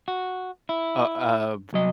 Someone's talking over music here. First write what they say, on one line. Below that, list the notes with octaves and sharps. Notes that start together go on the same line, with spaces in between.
Oh, uh,
F#4
E4
C2 F#3 D#5